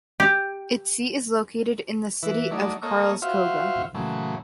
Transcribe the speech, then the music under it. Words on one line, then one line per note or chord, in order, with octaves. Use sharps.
Its seat is located in the city of Karlskoga.
G4
E3 E4 B4
F#3 A3 D#4 D5
A#3 A4 C#5 D#5
F4 F#4 C5 E5 F5
A#2 C#3 E3 F#3 A3